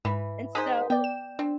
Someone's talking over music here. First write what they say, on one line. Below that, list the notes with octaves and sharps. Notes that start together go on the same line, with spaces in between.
and so
G#2 E3 B5
G#3 D#4 C5 G#5 D#6 B6
B3 D5 G5
E7
C4 D4